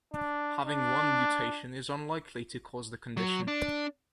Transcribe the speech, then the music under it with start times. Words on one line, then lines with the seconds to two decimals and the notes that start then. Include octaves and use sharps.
Having one mutation is unlikely to cause the condition.
0.13 D4
0.66 D4
3.17 F#3
3.48 D4